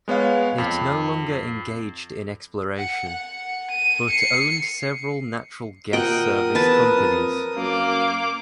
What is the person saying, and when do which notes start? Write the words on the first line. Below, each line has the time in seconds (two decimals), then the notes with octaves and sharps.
It no longer engaged in exploration, but owned several natural gas service companies.
0.08 G#3 B3 C#5 F5
0.58 F2
2.78 F#5
3.08 F#5
3.71 D#7
4.10 C7 C#7
5.93 A#2 A#4 F#5 G5 D#6
6.55 E2 B4 A5
6.94 F2
7.56 F#2 A#3 D6